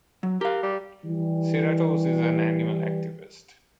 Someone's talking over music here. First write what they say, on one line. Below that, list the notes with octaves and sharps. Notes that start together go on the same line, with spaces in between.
Serratos is an animal activist.
F#3
G4 A#4 F5
G3
E3 G3